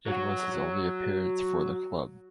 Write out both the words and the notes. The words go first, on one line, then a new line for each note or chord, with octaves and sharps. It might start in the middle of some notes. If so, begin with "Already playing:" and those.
It was his only appearance for the club.
F#3 F#4